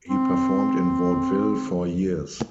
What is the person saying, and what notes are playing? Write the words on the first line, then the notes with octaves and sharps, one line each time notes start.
He performed in vaudeville for years.
C4